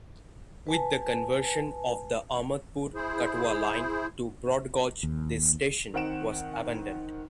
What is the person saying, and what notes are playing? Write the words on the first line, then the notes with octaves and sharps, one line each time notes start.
With the conversion of the Ahmadpur–Katwa line to broad gauge this station was abandoned.
B4 G#5 A5
E4 G#4 C5
D#2
D#3 C4 F#5 D7 E7